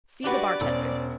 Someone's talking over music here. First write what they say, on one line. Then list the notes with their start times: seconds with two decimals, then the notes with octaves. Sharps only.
See the bartender.
0.24 D4 F#4 G4 B4 D5
0.61 E1 C#4 C5